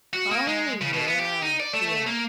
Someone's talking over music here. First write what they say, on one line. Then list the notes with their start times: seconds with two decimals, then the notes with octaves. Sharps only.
Oh, yeah. Yeah.
0.13 F#4
0.31 A#3
0.47 G#3
0.81 C#3
0.93 B2
1.08 B3
1.19 G4
1.42 D#4
1.60 D5
1.73 A3
1.88 A3
2.06 A#3